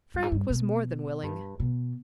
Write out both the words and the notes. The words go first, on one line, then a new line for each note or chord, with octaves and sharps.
Frank was more than willing.
G2
G#2
G2
B2
G2
B2